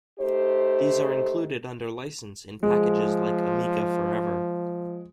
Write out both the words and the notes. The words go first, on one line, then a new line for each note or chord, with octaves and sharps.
These are included under license in packages like Amiga Forever.
A3 D#4 G4 C5
F3 G#3